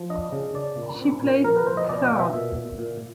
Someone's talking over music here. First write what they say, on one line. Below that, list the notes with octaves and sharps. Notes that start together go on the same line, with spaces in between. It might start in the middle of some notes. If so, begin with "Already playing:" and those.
She placed third.
Already playing: F3
D4 D#5
C#3
D4 D5
A#2
C4
A#2
F3 A#4
B4
F3 C5
D#5
B2 D5
D#5
B2
E5
A#2
A#2
A#2